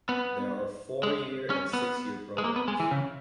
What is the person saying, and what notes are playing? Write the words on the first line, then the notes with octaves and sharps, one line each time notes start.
There are four-year and six-year programs.
B3
G#3
C#4
B3
G#3
A#3
B3
G#3
E3
C#3